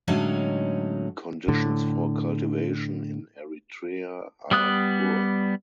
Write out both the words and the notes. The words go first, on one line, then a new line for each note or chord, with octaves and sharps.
Conditions for cultivation in Eritrea are poor.
A2 D3 F#3 G#3 C#4 D#4
A2 D3
G3 B3 D#6 F#6